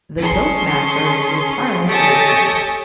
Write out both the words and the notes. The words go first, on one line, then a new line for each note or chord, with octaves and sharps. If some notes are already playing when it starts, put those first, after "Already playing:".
The Toastmaster was Harlan Ellison.
C#4 G#4 A5 C6
G4 A4 C#5 D#5 G#5 A5